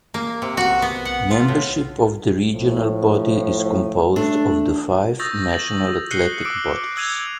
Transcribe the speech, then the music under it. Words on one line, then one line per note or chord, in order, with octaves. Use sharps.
Membership of the regional body is composed of the five national athletics bodies.
A#3
C3
F#4
B3
F#5
F4
A2
A2 F3
A3 D4
C#6 D#6 E6 G6 A6 A#6
A6 F#7
F#6 C7 C#7 D#7 G7
D6 E6 D7
E6 G#6 D#7 F7